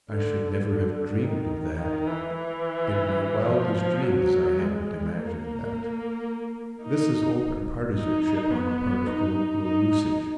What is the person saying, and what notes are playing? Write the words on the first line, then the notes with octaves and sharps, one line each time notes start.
"I should never have dreamed of that," "in my wildest dreams I hadn't imagined that." This is open partisanship on the part of colloquial usage.
D3
D3
D#3
D#3
E3
E3
F3
F#3
G#3
A#3
D#4
D#4
B3
D#4
D#4